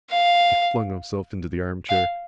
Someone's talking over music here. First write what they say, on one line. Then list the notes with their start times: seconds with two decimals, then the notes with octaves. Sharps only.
He flung himself into the armchair.
0.10 F5
1.89 F5